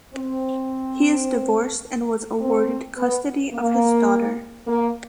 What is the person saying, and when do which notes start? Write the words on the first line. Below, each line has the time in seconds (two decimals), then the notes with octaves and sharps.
He is divorced and was awarded custody of his daughter.
0.13 C4
2.40 C4
2.96 B3
3.53 A#3
4.66 A#3